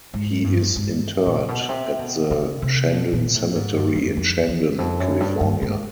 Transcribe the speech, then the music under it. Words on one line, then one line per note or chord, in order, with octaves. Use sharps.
He is interred at the Shandon Cemetery in Shandon, California.
G#2
G2
G#2
A#2
B2
C3
B2
C#3
C3
B2
A#2
A2
G#2
G2
F2
F2
E2
F2
F#2
G2
G2
G#2